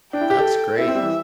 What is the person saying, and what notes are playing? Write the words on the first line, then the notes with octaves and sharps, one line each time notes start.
That's great.
D4 G5
E4
G4
A4
E4 E5
C4
G3
E3